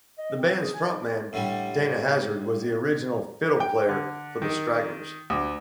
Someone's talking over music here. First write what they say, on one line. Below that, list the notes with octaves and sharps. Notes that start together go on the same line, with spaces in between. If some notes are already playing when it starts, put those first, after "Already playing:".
The band's front man, Dana Hazzard, was the original fiddle player for the Stragglers.
D#5
C4
G#4
G#5
D#4
A2 D3 G3
G5
D3
D#3
D2